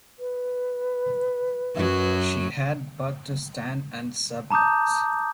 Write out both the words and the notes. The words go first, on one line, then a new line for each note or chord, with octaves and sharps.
She had but to stand and submit.
B4
F#2 F#3
A5 A#5 D6 D#6 G6